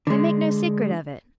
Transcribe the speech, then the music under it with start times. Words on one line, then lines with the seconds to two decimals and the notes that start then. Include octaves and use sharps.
They make no secret of it.
0.07 D3 G#3